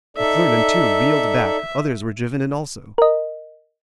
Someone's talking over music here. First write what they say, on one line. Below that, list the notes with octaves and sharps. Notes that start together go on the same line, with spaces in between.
McClernand, too, reeled back, others were driven in also.
D#4 A4 D5 E5
A#4 D#5